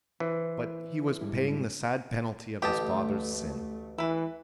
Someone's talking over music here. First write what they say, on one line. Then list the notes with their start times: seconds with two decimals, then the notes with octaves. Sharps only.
But he was paying the sad penalty of his father's sin.
0.20 E3 E4 B4 C5
1.21 G#2 G3 E4
2.62 A1 D2 A3 G4 D#5 A5
3.98 E3 E4 B4